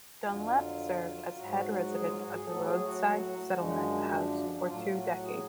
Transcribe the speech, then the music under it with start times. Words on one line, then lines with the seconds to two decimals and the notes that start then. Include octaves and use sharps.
Dunlap served as head resident of the Roadside Settlement House for two decades.
0.24 F2 D3 F#3 F4
1.35 G#2 F#3 F#4
1.90 G#4
2.06 F4
2.19 F#4
2.32 G#4
2.45 A2 F#3 A4
2.64 G#4
2.82 F#4
3.56 F#2 D3 F3 G#3
4.12 D4
4.67 A2 F#3 F4
4.95 F#4
5.22 G#4